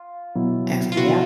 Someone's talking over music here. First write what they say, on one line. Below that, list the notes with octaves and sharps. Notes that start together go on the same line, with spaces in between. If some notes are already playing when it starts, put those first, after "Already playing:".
That's yeah.
Already playing: F4
B2 F#3 B3 E4
F4
B2 F#3 B3 E4 F#4